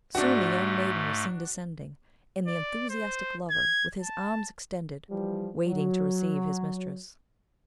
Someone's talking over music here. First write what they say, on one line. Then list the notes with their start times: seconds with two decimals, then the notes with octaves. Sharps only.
Soon the young maiden was seen descending, and the enthusiastic lover, with his arms extended, waiting to receive his mistress.
0.15 G#2 A3 D4 F#4
2.47 D5
2.90 C5
3.50 G#6
4.01 A5
5.10 E3 F3 G3
5.67 F#3